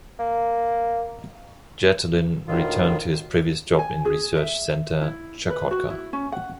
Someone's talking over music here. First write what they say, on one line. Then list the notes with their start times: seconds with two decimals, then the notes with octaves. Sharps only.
Yetylin returned to his previous job in research centre "Chukotka".
0.19 A#3
2.48 D2 A2 D#3 F4
3.79 G#5
4.05 G#4
4.37 E5
5.02 E4
5.50 B4
5.71 F#4
5.90 E4
6.13 C#4
6.32 F#5